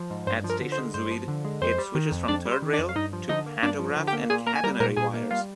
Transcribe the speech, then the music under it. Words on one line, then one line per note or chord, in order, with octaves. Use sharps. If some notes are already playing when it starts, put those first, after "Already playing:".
At Station Zuid it switches from third rail to pantograph and catenary wires.
Already playing: F3
G#2
G2 C5
F3
A#4
D3
C5
G#3
G2 C5
F3
D3
G#3
F2 C5
G3
D#3
F2
F2 D4 D5
G3
C5
D#3
D4 D5
F2
F5
G2 D#4 D#5
F3
D3 D#4 D#5
A#3
G2 D4 D5
F3
D3
G4 G5
A#3
A#2 G#4 G#5
A#3 A#4 A#5
G#5
G3 A#4 A#5
A#2 A#4 A#5
A#2 G#4 G#5
A#3
G3 F4 F5